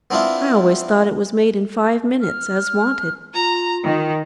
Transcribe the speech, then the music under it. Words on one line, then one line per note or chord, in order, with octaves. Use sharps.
I always thought it was made in five minutes, as wanted.
B3 C4 D4 E4 F4
F6
F4 A#5
D#3